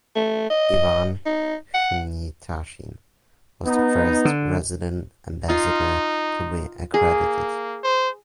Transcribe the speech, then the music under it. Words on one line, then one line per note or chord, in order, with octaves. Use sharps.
Ivan Hnatyshyn was the first resident ambassador to be accredited.
A3
D#5
D#4
F#5
B3 D#4
D3
D#4 F4
A#3 G#4
C5